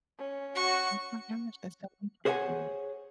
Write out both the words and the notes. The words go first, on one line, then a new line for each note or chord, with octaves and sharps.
Oh my gosh, that's so interesting.
C#4
F#4 C#6
G#4 C5 C#5 D#5 F#5 G#5